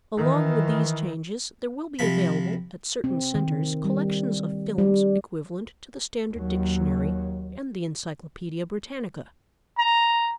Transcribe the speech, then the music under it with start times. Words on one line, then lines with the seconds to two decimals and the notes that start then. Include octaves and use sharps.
Along with these changes, there will be available at certain centres collections of films equivalent to the Standard Dictionary and the Encyclopaedia Britannica.
0.17 D#3 E3
1.99 C3 F3 B5
3.04 C4
3.35 D#3
3.85 G3
4.78 G3
6.32 D#2 F#3
9.78 A#5